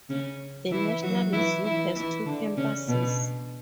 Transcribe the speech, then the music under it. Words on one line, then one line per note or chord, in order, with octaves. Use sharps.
The National Zoo has two campuses.
C#3 C#4
E3 E4
F#3 F#4
E3 E4
E3 E4
E3 E4
D3 D4
C#3 C#4
B2 B3